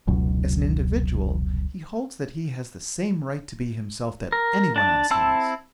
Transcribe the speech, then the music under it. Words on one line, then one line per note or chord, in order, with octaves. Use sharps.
As an individual he holds that he has the same right to be himself that anyone else has.
F1 C#2 B2 F#3
A#4
D4 A5
C4 E4 A5 E6